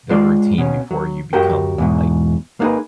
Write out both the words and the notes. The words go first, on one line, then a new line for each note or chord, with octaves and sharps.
the routine before you become, like,
G#3 F4 D5
B2 C#4
F#3
F#2 F#4 G4 A#4 G5
E2 G#2 B2
A#3 B3 D#4 G#4 B4